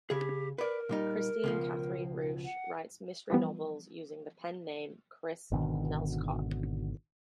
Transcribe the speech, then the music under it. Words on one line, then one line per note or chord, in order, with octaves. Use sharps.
Kristine Kathryn Rusch writes mystery novels, using the pen-name "Kris Nelscott".
C#3 G4 G#4
A#4 B4 D5
A#2 G3 D#4
C#2 B2 F3
F#5
E3 F3 G3 B3
G#1 B2 D3 D#3